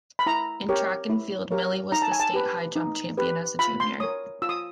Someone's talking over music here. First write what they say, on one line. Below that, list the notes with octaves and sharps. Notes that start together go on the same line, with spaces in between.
In track and field, Mili was the state high jump champion as a junior.
B5
E4 A#5
G4 A#4 C#5
E4
G4 A#4 C#5
D#4 A#5
A5
G#5
A5
G4 B4
D#4
G4 B4
F4 B5
C6
A#4 C#5 D#6
F4 E6
D#6